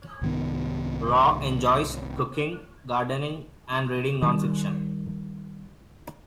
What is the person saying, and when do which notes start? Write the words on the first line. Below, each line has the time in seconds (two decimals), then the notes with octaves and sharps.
Rau enjoys cooking, gardening and reading non-fiction.
0.22 C2 G#2 D#3 B3
4.22 D#3 G3